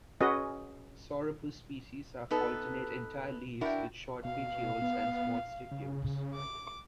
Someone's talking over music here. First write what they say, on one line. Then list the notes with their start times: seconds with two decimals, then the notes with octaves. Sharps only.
Sauropus species have alternate, entire leaves with short petioles and small stipules.
0.21 C#4 F#4 G#4 B4 D#5
2.31 B3 D#4 A4 B4
3.61 D4 E4 F#4 A#4 G5
4.25 B2 F5
4.82 B3
5.72 C#3
6.35 D6